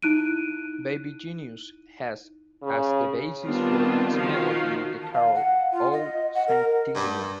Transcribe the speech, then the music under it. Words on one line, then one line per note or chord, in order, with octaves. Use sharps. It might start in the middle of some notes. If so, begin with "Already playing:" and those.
"Baby Genius" has, as the basis for its melody, the carol "O Sanctissima".
D#4 E4 F#6 D7 D#7
C#3
D#3 G3 B3 C4 D4 F4
D#3 F3 F4 F#4 F5
A5
F5
F#5
F4
D#5
F#5
A#4
G2